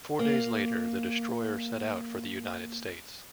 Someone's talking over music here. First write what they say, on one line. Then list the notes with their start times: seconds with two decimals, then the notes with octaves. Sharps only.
Four days later, the destroyer set out for the United States.
0.19 A#3